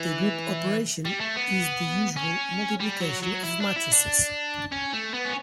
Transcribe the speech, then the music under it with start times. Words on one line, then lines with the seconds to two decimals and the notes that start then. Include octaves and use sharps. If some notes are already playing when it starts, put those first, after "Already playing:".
The group operation is the usual multiplication of matrices.
Already playing: E3
1.05 G3
1.20 A3
1.36 B3
2.16 C#4
2.80 G3
3.01 F#3
3.23 F#3
3.43 E4
3.60 D4
3.76 E4
3.92 D4
4.72 C#4
4.93 A3
5.14 B3
5.25 C#4